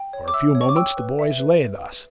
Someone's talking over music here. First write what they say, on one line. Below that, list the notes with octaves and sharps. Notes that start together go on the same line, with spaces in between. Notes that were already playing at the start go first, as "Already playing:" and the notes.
For a few moments the boys lay thus.
Already playing: G5
C#5
D6
E5 E6
C#5
C#6
D6
G5 E6
B4
E5
B4